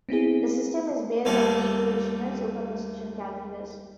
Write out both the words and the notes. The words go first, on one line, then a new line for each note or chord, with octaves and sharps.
The system is based on the equational superposition calculus.
B3 C4 E4 G#4
D#2 G3 A3 A#3 A4 C6